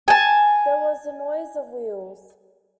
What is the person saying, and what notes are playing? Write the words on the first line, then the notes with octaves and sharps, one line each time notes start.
There was the noise of wheels.
G#5 A5